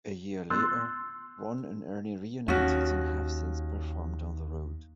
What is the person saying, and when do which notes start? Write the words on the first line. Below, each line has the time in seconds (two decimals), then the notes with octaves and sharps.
A year later, Ron and Ernie reunited and have since performed on the road.
0.50 C6 E6 F#6 G6 A6
2.48 D#2 C#4 F#4